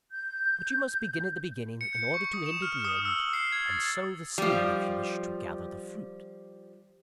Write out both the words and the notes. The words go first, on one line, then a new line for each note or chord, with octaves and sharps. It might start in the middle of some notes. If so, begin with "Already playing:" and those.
But you must begin at the beginning in order to end at the end, and sow the seed if you wish to gather the fruit.
G6
C#7
G6
C#6
D#6
E7
F6
D#6
E6
F#7
C7
G#6
A6
F3 G3